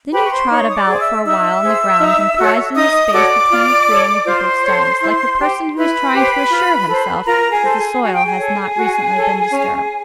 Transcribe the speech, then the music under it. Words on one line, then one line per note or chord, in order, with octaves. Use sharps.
Then he trod about for awhile on the ground comprised in the space between the tree and the heap of stones, like a person who is trying to assure himself that the soil has not recently been disturbed.
G4 B4 C5 B5
C#6
C5 C6
D#4 C#5 C#6
D#6
D5 D6
G#4 C5
E5 E6
D#4 E5 E6
G#4 C5
D#4
F#4 A4 C#5
D#4 D#5 D#6
D#6
F#4 A4 C#5 D5 D6
F4
A4 C#5
F4 C5 C6
A4 C#5
E4
G4 C5
E4 B4 B5
G4 C5
F4
A4 C5
F4 A#4 A#5
G#4 G#5
A4 C5
G#4 G#5
F#4 G#5
G5
G#4 G#5
A4 C#5
F#4
A4 C#5
C#4